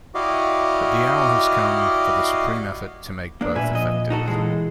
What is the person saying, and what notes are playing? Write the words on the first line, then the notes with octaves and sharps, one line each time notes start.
But the hour has come for the supreme effort to make both effective.
E4 F#4 G4 D5 D#5 F5
A#3 D4
A#2 B4 E5 G#5
F2 D#5
D#4 F#4 A4
C#2 E3 G#3